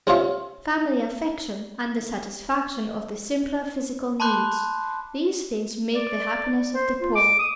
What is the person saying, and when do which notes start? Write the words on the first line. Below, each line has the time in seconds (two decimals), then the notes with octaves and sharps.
Family affection--and the satisfaction of the simpler physical needs--these things make the happiness of the poor.
0.07 G3 C4 C#4 F4 C#5 E5
4.20 A5 B5 C6 D6 F#6 G6
5.94 D5
6.74 C5
7.01 F4
7.15 D6
7.39 D#6